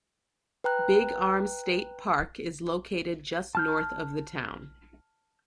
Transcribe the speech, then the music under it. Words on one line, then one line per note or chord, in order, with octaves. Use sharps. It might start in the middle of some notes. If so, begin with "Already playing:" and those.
Big Arm State Park is located just north of the town.
B4 G5 A#5 F#6
A5 F6 G6